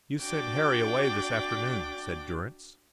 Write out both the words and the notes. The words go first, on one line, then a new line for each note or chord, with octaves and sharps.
"You sent Harry away this afternoon," said Durrance.
D4 F#4 D5 G5 D6